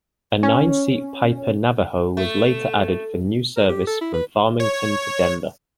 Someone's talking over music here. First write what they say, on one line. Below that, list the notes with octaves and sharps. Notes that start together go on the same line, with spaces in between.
A nine-seat Piper Navajo was later added for new service from Farmington to Denver.
C#4
A3
A#4
G4
A4
E4
B4
C#5